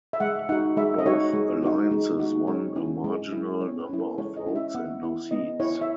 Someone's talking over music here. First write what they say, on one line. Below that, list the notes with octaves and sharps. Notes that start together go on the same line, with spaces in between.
Both alliances won a marginal number of votes and no seats.
E5
G#3 F#5
D#4 F#4 F#5
G#3 E5
D#5
D#4 F#4 C#5
G#3
D#4 F#4
G#3
D#4 F#4
G#3 C#5
C#4 E4
G#3
C#4 E4
G#3 C#5
B4
C#4 E4
A4
G#3 C#5
D#5
C#4 E4
E5
B3 F#5
E4
B3 D#5
E4 C#5
E5